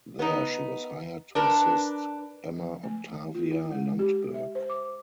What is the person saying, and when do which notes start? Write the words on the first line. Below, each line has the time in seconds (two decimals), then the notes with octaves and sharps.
There she was hired to assist Emma Octavia Lundberg.
0.19 B3 D#4
1.35 D4 A#4 B4
2.54 F3
2.83 A3
3.35 F4
3.51 E4
3.72 G#3
3.99 G4
4.34 E5
4.55 C5
4.70 D6